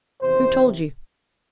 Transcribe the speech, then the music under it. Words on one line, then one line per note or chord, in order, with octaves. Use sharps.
"Who told you?"
E2 C3 D#3 C5